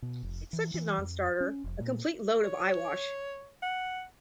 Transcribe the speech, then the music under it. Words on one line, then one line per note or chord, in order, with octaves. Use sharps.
It's such a non-starter, a complete load of eyewash.
B2
F1
E3
E3
F2
C#4
F1
A#2
C#5
F#5